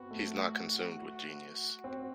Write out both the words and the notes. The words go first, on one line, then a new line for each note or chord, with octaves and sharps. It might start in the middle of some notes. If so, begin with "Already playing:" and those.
He's not consumed with genius.
Already playing: B3 C4 F#4
A3
C4